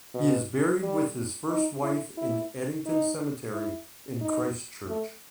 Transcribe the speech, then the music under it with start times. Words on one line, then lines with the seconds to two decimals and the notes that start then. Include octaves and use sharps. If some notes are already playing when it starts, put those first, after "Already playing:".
He is buried with his first wife in Addington Cemetery in Christchurch.
0.14 B2
0.83 G3
1.50 D#4
1.83 E4
2.18 E4
2.86 D#4
3.52 E4
4.21 D#4
4.88 A3